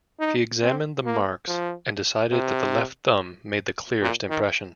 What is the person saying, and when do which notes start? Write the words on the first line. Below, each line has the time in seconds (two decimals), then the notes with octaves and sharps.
He examined the marks and decided that the left thumb made the clearest impression.
0.20 D#4
0.62 C4
1.05 A#3
1.48 F3
2.32 C3
4.02 A#2
4.30 D#3